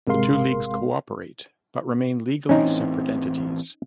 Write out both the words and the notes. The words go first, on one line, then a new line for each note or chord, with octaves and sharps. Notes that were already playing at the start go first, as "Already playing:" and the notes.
The two leagues cooperate but remain legally separate entities.
G#1 C3 G#3 A#4 F5 C6
A1 E3 C4 C#4 D#4